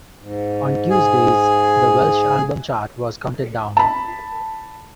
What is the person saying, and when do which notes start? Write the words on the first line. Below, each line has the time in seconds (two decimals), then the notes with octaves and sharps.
On Tuesdays, the Welsh album chart was counted down.
0.19 G#2
0.90 G#4
3.77 A5 B5